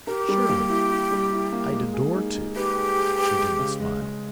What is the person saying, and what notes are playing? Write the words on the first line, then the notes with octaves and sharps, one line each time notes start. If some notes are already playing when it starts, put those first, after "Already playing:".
"Surely, I'd adore to." She didn't smile.
G4 A#4
G3
A#3
E4
E4
G3
E4
A#3
G#3
G#4
D#4
D#4
G4 B4
G#4
G#4
B4
G#3
C#3
G#3
G#3